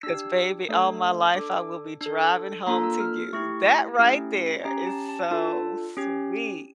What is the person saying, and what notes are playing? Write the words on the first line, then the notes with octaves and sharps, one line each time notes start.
’cause, baby, all my life, I will be driving home to you." That right there is so sweet.
D4 G4 E6
A3 D4 A4
D4 A4 D6
D4
A4
A#3 D4 F4 A4 A#5
E6
F6
A3 E4 G4 C#6
A3 C#4 E4 G4
C#4 G4 A#5
A5
A5
D4 F4 A4 A5
C#4 G4